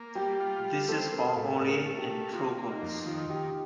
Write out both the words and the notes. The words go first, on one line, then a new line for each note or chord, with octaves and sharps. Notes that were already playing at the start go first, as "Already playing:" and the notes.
This is found only in trogons.
Already playing: A#3
G3 G4
F4
G3
C4 A4
C4 A#4
A2 A4
A2 A#4
A3
G4
A3
A#3 F4
A#3
D#4
F2
D#3 F4
D#3 G4